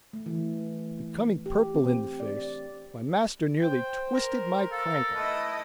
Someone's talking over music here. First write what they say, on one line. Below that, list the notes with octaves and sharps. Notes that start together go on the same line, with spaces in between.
Becoming purple in the face, my master nearly twisted my crank off.
A3
E3
G4
C4
D5
C5 G5
A#4
A4 F5
A3 E4 B4 D#5